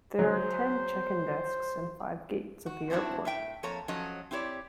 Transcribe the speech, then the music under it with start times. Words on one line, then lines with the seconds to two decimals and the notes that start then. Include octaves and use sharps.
There are ten check-in desks and five gates at the airport.
0.19 F#3 G#4 C5
2.66 F#4
2.90 G#2 C4 D4 E4 F#4
3.25 A2 E5 G5
3.63 F2 A#3 A4 C#5 A#5
3.88 F3 F#3 C#4 A4 D#5
4.31 C4 E4 G4 C#5 D5